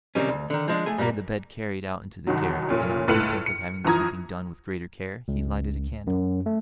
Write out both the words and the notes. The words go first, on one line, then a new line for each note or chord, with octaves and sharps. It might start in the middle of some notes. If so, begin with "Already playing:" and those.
He had the bed carried out into the garret, and on pretence of having the sweeping done with greater care, he lighted a candle.
C3 D#3 G3 C#4
D2
D3 D#3
F3 G#3 D4
A3 G#4 G#5
G2 G3 A3 A#3
C2 D#3 F#3
F1 A#2 C#4
C#2 A2 B4 F6 C#7 F#7
C#7
F#2 E3 F3 A#5 D#6 G#6
C#2
F#2
A3